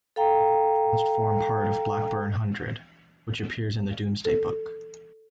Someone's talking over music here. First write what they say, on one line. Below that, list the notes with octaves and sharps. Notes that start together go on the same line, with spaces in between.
The village once formed part of Blackbourn Hundred, which appears in the Domesday Book.
A4 F5 G5 A#5
A4